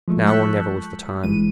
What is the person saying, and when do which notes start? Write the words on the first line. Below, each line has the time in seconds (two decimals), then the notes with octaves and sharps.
Now or never was the time.
0.08 F3 G#3 A3
0.27 A5 C#6 E6 F#6 G6 B6
1.23 G1 E3 G#3 D#7